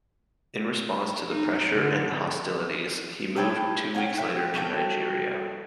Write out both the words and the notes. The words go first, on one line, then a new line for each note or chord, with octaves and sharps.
In response to the pressure and hostilities, he moved two weeks later to Nigeria.
D#4
D3
E4 C#5 G5 A5
C#4 C#5 F#5 G5
E5 G5
G3 F#4 A4 G5